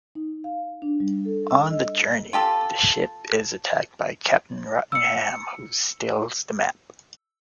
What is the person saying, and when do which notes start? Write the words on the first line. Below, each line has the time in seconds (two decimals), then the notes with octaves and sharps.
On the journey, the ship is attacked by Captain Rottingham, who steals the map.
0.15 D#4
0.44 F5
0.82 D4
1.00 G3
1.25 A4
1.50 E6
1.71 D#5
2.33 F4 G4 A4
4.92 E6 C#7